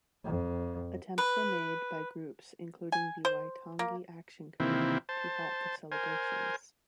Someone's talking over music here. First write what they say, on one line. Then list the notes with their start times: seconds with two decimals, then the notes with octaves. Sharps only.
Attempts were made by groups including the Waitangi Action Committee to halt the celebrations.
0.25 F2
1.18 B4
2.92 G#5
3.25 C5
3.79 A#3
4.60 C3 D#3 E3 A#3 C4 E4
5.09 C5 A5
5.92 A#4 C5 G#5